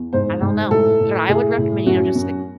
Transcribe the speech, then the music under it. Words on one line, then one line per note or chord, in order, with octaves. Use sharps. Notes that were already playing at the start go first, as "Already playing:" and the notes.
I don't know. What I would recommend, you know, just the, like,
Already playing: E2
G#2 C5
G#2
A2 A4
A2
A2 G#4
A2
F#2 F#4
F#2